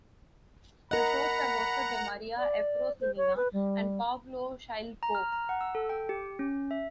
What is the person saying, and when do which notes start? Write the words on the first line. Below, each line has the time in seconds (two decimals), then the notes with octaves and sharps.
The shows were hosted by Maria Efrosinina and Pavlo Shylko.
0.91 A#4 D#5 F#5 A#5 B5
2.39 D5
3.01 C5
3.17 C#5
3.37 B4
3.53 G3
5.03 A#5
5.15 F6
5.32 A#5
5.49 F#5
5.61 E6
5.75 A4
5.89 G5
6.09 G4
6.39 C#4
6.71 E5